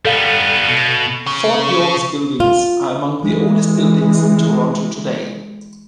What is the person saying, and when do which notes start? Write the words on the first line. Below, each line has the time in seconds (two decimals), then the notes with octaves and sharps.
Fort York's buildings are among the oldest buildings in Toronto today.
0.05 G3 B3 A4 F5
0.68 B2
1.27 C#3
2.40 F4
3.23 E3 G#3